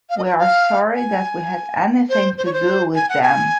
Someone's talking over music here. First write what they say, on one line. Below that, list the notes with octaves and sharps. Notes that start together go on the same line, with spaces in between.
We are sorry that we had anything to do with them.
F5
D#5
C#5
F5
G#5
C5
C5
C#5
C5
G#5
F#5
G#5